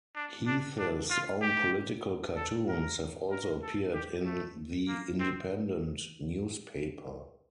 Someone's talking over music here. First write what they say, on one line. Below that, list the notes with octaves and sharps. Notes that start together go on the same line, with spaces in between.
Heath's own political cartoons have also appeared in "The Independent" newspaper.
D4
D4
D4
F4
G4
A4
A#4
A#4
A4
G4
A3
A#3
C4